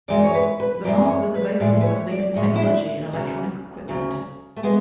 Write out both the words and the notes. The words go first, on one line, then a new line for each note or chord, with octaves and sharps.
The Mark was available with Lincoln technology and electronic equipment.
F#2 E3 G#3 D5
C#5
B4
B4
F#2 E3 G#3 D5
C#5
B4
A2 G#3 D5
B4
C#5
D5
A2 G#3 C#5
E4
D4
D2 C#3 F#3
D2 C#3 F#3
A3
G#3 B3